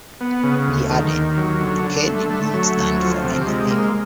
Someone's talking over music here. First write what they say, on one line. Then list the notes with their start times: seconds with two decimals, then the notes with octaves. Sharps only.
The added "K" did not stand for anything.
0.21 B3
0.44 C#3
0.67 D2
0.90 D#3
1.13 D#2
1.37 F#3
1.61 D3
1.84 D3
2.07 A3
2.30 A3
2.54 F#3
2.77 D2
3.00 F3
3.24 C3
3.47 G#3
3.70 A#3